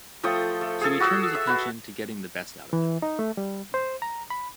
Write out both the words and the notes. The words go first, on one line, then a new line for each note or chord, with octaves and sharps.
So he turned his attention to getting the best out of it..
F3 A3 G5 D#6
A3
G#4 A4
F#4 D#6 E6
E5
F#4 B4
E3
D#4
A3
G3
C5
A#5
B5